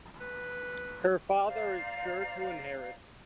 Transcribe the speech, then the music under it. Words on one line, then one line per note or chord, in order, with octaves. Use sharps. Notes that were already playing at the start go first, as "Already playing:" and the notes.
Her father is sure to inherit.
B4
C5 D5 F5 A#5